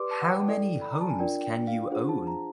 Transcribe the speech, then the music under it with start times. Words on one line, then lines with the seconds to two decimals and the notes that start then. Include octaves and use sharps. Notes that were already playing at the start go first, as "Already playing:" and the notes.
How many homes can you own?
Already playing: G4 B4 D5 C6 D6
0.11 A5
0.21 F#5
0.30 G5
0.47 E4 A4 D5
0.82 B5
0.91 A#5
1.01 A5
1.10 G#5
1.19 D4 F4 A#4 D5 G5
1.43 G5
1.67 F5
1.90 D4 F4 G#4 C5 F#5
2.09 A5
2.27 A#5